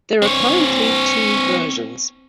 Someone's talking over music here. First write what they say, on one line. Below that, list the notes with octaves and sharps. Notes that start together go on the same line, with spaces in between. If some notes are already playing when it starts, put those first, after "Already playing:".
There are currently two versions.
C4 C#5